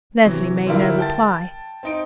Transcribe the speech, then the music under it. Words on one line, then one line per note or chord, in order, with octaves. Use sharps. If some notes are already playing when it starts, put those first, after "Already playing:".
Leslie made no reply.
C3 E3 F#3
D3 G3 E4 F4 A#4
G5 A5 A6
C4 D#4 D7